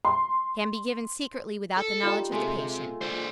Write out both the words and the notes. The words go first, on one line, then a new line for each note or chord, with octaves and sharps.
Can be given Secretly without the knowledge of the patient.
C6
A4
G3 D#4 F4
C3 G#3 A3
D4 C5